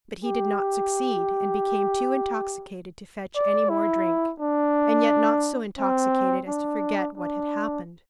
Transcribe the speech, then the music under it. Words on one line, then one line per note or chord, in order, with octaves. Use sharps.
But he did not succeed, and became too intoxicated to fetch any more drink, and yet not so intoxicated as to forget what had happened.
G4
D5
E4
D4
C4
D4
D4